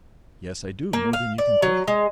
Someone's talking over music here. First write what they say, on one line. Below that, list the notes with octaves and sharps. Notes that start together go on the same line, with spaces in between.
"Yes, I do; more than you can think."
A#3
F5
D5
F#3
G#3